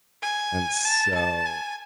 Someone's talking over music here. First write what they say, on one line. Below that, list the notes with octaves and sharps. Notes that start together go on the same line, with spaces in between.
And so,
G#5
A5
A5
G#5